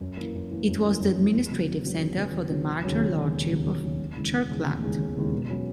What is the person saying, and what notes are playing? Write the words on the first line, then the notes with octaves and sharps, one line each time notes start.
It was the administrative centre for the Marcher Lordship of Chirkland.
F#2
E3 A#3
F#2
E3 A#3
F#2
E3 A#3
F#2
E3 A#3
E2
C#3 F#3 B3
E2
C#3 F#3 B3
E2
C#3 F#3 B3
E2
C#3 F#3 B3
E1
D#2 C#3 F#3 C#4
E1
D#2 C#3 F#3 C#4
E1
D#2 C#3 F#3 C#4
E1
D#2 C#3 F#3 C#4
E1
D#2 C#3 E3 G#3
E1
D#2 C#3 E3 G#3
E1
D#2 C#3 E3 G#3
E1
D#2 C#3 E3 G#3
B2
F#3 C#4